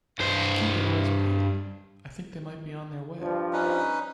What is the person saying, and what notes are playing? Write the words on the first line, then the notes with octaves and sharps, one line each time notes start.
Keep your eyes peeled! I think they might be on their way.
G2 C5
G2 F3
C#4 D#4 B4